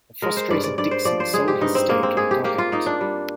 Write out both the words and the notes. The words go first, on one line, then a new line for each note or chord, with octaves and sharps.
A frustrated Dixon sold his stake and got out.
G#3 A#4
C5
G2 D5
D5
G2 D5
C5
F3 D5
C5
G#3 G#4
G4
G2 D#4
C4
G#3 A#3
C4
G#3 G#4
G4
A#3 G4
F4
A#3 D#4
D4
G3